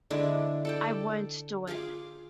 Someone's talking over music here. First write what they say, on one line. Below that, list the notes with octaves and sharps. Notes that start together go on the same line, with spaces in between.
I won't do it.
D3 G#3 D4 E4
A4 D5 G5
F4 G#4 F5 D6